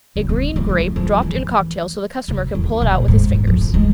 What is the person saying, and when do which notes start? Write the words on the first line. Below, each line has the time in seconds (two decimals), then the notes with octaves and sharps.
A green grape dropped in a cocktail so the customer can pull it out with his fingers.
0.16 C#3
0.29 C4
0.56 G3
0.69 F3
0.96 F3
1.22 E3
2.28 C#3
2.55 E2
2.82 A#2
3.08 G#2
3.34 A#2
3.47 F3
3.61 F3
3.74 G#3